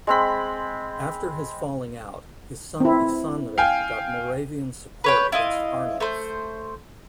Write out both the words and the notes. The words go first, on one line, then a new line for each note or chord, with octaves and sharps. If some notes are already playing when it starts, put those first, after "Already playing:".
After his falling out, his son Isanrich got Moravian support against Arnulf.
G#3 C4 B5
C4 E4
F5 G5 G#5
B4 C#5 G5
E4 F4 D#5
A3 C5